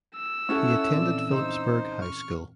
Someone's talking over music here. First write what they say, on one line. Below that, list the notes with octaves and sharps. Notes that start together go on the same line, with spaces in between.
He attended Phillipsburg High School.
E6
C#4 E4 A4 C#5 F#5
A#2 E3 C4 D5
D#4 C5
C#6 F6